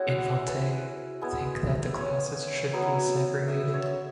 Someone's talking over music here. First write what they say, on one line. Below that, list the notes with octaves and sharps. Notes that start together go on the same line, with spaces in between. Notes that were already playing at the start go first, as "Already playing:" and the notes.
Infante, think that the classes should be segregated.
Already playing: G#3 C#4 E4 F#4
F#5
B4
G#3 B3 E4
C#5
F#3 B3 E4
E5
C#5
E5